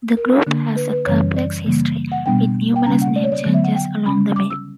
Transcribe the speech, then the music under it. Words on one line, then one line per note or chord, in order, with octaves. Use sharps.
The group has a complex history, with numerous name changes along the way.
A#4
D3 A#3 D4
B4
B4
F#2 C#3 E3 G3 C#4 C#5
D5
C#3 E3 G3 A#3
F#5
B2 G3 B3 D4 G5
G5
C#3 G3 A#3 C#4 A#5
F#5
D5
C#5
D5
D3 F#3 B3
E5
F#5
G5
C#3 G3 C#4 B5
D6
E6